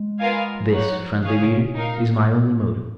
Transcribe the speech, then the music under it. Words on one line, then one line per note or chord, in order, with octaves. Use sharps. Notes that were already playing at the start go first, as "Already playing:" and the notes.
This, friendly reader, is my only motive.
Already playing: G#3
B3 F4 A#4 F5 G#5
F3
F#3 D#4 F#4 C#5 F#5
F3
D#3 C#4 G#4 C#5 F5
C#3
G#2
A#2
D#4 A#4 F5